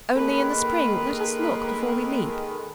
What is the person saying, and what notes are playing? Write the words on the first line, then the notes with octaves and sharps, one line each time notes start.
Only, in the spring, let us look before we leap.
D#3 G#3 A#3 A4 B4